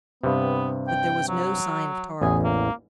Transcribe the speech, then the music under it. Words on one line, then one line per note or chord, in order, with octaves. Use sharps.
But there was no sign of Tarling.
G2 C3 B3
G5
F#3
A1 E2 G#4 G#5
A#3